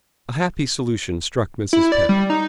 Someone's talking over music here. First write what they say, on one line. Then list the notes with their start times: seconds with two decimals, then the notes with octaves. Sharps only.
A happy solution struck Mrs. Pett.
1.73 E4
1.92 D5
2.09 G3
2.30 D#4